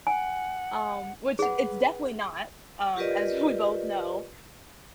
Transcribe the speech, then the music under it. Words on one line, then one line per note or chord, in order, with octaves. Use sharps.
um, which it's definitely not, um, as we both know,
F#5 G#5
G#4 B4 F#5
F4 G4 A#4 B4 D5 D#5